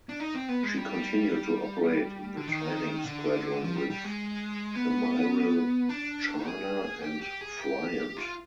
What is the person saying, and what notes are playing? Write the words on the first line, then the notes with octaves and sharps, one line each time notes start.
She continued to operate in the training squadron with "Amiral Charner" and "Friant".
D4
D#4
C4
B3
G#3
G3
D3
D#3
D3
F3
G3
G3
G#3
B3
D4
G#4
G4
G4
G#4
G4
F4